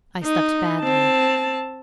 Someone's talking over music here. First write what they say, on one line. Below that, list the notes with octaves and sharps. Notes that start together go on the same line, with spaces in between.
I slept badly.
D#4
C4 A5